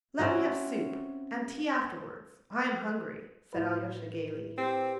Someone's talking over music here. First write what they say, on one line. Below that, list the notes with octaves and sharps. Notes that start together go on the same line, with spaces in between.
"Let me have soup, and tea afterwards, I am hungry," said Alyosha gayly.
C4 C#4 E4 F#4
A2 E4 B4
C4 G4